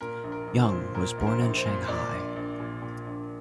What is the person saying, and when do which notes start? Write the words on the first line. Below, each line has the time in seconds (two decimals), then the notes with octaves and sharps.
Young was born in Shanghai.
0.01 A#2 A#4
0.24 A#1
0.32 A#4
0.47 A#1
0.64 C5
0.72 A#2
0.95 A#2 A#4
1.18 A#1 A#4
1.27 C5
1.42 A#1
1.57 C5
1.65 A#2
1.88 A#2 D5
2.12 A#1
2.36 A#1
2.60 A#2
2.82 A#2
3.07 A#1